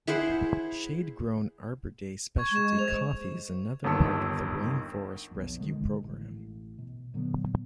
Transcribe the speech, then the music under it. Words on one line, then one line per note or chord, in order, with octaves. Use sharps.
Shade-grown Arbor Day Specialty Coffee is another part of the Rain Forest Rescue program.
E4 G#4 C5 F#5
C#6 G#6
G#3 C#6 E7
C5 F7
G1 D#2 D#3 A5 E6 C#7
B1 F2
B2 D3 D#3 G#3
A1
B2
A#2 D3 F#3 B3